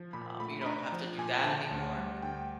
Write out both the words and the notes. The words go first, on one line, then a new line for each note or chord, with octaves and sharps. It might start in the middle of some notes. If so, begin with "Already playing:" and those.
um, you don't have to do that anymore.
Already playing: F3
A#2 B5
A3 B5
B5
D4 A#5
F3
A#2 G#5
D3 A5
D2
G3
D2 G5